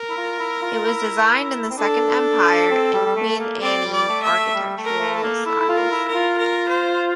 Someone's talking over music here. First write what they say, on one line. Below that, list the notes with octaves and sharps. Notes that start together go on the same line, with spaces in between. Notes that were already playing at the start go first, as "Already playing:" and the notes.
It was designed in the Second Empire and Queen Anne architectural styles.
Already playing: A#4
E4
F4
E4
F4
E4
C4
D4 A4
C4
G3
G3
A3
A#3
C4 D5
G3
D5
A3
E5
A3
G3
A3
A#4
A3
A4
A#3
E4 A4
E4
F4
A#4
E4
A#4
F4
A#4
C5